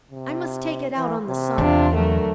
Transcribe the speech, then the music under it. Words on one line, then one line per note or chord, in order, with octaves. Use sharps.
I must take it out on the sidewalk.
C3
E3
C3
E2 D4 F4
D3 F#3 A3 A#4